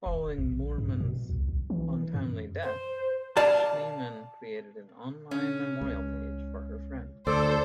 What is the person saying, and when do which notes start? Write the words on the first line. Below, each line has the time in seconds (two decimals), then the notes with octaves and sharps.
Following Moorman's untimely death, Schneeman created an online memorial page for her friend.
0.06 E1
0.38 A#1
0.78 G2
1.00 B2
1.30 C2
1.48 B1
1.70 E3
2.14 F#2
2.62 C5
3.37 D5 F5 A5
5.31 C#4
5.81 C#2
7.27 D2 A4 C5 D5